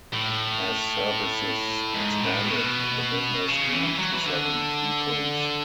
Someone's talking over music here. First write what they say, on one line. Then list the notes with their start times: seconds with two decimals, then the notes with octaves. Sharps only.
As services expanded the business grew to seven depots.
0.13 A2
1.94 G#2
2.20 A2
2.46 B2
3.49 C#3
3.74 E3
3.99 F#3
4.13 E3
4.26 D3